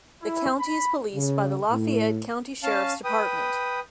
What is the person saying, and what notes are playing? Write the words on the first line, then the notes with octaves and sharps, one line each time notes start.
The County is policed by the Lafayette County Sheriff's Department.
E4
B5
C#3
A2
C#4 F5 A5
B4 G5 D#6